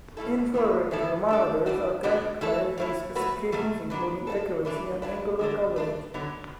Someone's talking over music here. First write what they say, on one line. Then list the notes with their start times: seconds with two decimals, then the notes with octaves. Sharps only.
Infrared thermometers are characterised by specifications including accuracy and angular coverage.
0.17 B2 A3 E4 A4
0.54 E3 B3 E4 B4
0.91 A2 E3 B3 E4 A4
1.28 A3 D4 A4
1.66 E3 D4 F#4
2.03 B2 B3 D4 F#4
2.41 E3 A3 E4 A4
2.78 A2 A3 E4
3.15 F#3 A3 F#4 B4
3.52 B2 F#3 A3
3.90 F#3 D4 B4
4.27 A3 F#4 A4
4.65 E3 A3 D4 B4
5.02 F#3 D4 B4
5.39 D3 F#3 D4 A4
5.76 A3 D4 B4
6.14 D3 F#3 B3